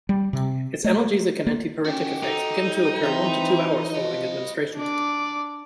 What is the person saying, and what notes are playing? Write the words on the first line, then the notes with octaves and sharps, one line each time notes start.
Its analgesic and antipyretic effects begin to occur one to two hours following administration.
G3
C3
A3
A#3
D#3 C#4 F#4 G4
D#4 A4
G3
E3 C4 E5
F3 C4 D#5
D4 D5